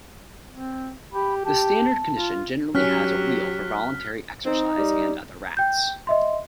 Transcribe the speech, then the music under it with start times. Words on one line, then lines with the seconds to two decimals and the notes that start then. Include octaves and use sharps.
The standard condition generally has a wheel for voluntary exercise and other rats.
0.52 C4
1.12 G4 B5
1.45 G4 A5
2.15 F4
2.75 F#3 C#4 G4 F6 F#6 B6
4.46 C4 D#4
4.78 G3
5.57 G5 G6
6.07 D#5 E5 C6